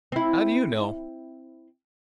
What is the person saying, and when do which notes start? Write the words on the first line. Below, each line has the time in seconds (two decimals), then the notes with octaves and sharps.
How do you know?
0.12 C4 E4